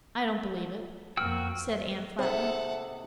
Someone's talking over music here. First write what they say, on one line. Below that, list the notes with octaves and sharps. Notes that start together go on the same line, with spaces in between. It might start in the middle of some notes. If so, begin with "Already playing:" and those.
"I don't believe it," said Anne flatly.
F2 A#3 F#4 G5 E6 F6
C3 D#3 C4 G#4 A4 E5 F#5